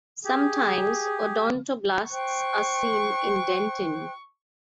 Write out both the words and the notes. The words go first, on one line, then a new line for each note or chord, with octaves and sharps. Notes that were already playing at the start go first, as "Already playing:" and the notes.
Sometimes odontoblasts are seen in dentin.
G4 G#4
C5 G5 C#6 F#6